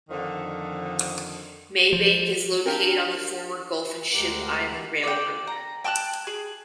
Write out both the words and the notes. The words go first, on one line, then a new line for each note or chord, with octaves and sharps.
Maybank is located on the former Gulf and Ship Island Railroad.
F2 D3 D#3 F3
F3
D4 F4 G4 A#4
D2 G#3 G4 A#4 F#5
D5 G5
A#5
G5 A5 E6 F#6
G#4